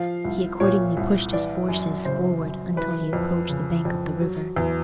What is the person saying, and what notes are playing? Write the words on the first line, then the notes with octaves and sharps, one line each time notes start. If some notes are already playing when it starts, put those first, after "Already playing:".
He accordingly pushed his forces forward until he approached the bank of the river.
Already playing: F3 F5
C2
A#2 C#5
C2
E3 D5
F#2
C#3 C5
F#2
E3 B4
F2
C#3
F2
F#3
E2